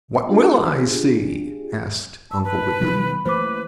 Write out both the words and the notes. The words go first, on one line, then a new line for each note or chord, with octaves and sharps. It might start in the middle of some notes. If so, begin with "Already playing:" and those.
"What will I see?" asked Uncle Wiggily.
D4 F4 G4 G#4
A5 E6
B4
B2 D#3 G3 B5
E3 A3 A#3 B4 C5 D6